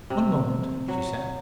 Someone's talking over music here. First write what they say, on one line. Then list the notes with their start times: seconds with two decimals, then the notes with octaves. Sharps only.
"One moment," she said.
0.10 C3
0.88 F#3